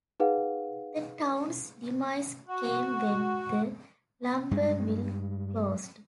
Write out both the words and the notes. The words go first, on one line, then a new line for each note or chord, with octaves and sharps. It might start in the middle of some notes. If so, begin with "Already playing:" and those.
The town's demise came when the lumber mill closed.
D#4 G#4 B4 F5 F#5
F#4
G2 G#3